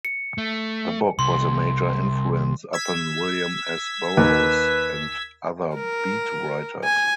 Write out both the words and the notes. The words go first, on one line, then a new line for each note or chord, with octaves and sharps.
The book was a major influence upon William S. Burroughs and other Beat writers.
C#7
A3
C2 C6
E6 G#6 B6
D#2 B4
A#4
G#5